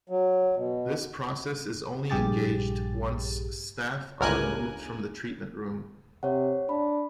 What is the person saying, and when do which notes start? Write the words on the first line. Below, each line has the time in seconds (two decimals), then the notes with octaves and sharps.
This process is only engaged once staff are removed from the treatment room.
0.09 F#3
0.56 B2
2.10 A#1 G2 G4 G#4 A6
4.20 G1 C#2 A#4 G#5 F#6
6.23 C3 C#5 F#5
6.69 D4 B5